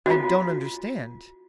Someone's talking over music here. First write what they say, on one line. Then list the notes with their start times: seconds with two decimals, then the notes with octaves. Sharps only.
"I don't understand."
0.06 F4 F#4